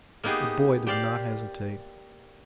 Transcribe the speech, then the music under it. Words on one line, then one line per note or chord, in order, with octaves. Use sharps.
The boy did not hesitate.
A#3 B3 D#4 G4 G#4
G4 C5 D5 F5